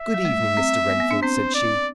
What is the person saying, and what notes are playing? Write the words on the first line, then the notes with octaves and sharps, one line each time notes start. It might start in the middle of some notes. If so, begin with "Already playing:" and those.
"Good-evening, Mr. Renfield," said she.
Already playing: E5
G3
A3
C4
B3
B3
D4
C4 C5
D5